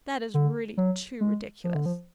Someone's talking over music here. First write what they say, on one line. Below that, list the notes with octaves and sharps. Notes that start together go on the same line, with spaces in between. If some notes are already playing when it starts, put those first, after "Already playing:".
That is really too ridiculous!
D3
F#3
G#3
F3
D3
F3